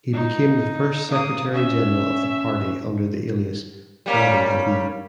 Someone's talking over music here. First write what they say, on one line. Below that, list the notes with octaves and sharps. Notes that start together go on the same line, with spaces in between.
He became the first secretary general of the party under the alias Mahdi Habib.
D#4
A#3 D#6
C#4 E5
G3 A#3 C#4